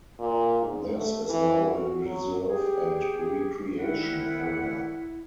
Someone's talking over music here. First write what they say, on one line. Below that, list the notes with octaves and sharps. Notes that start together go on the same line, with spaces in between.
This is now a reserve and recreation area.
A#2
G#2
A3
E3
F#4
F#3
G4 G#4
C2 D#3 E4 F#5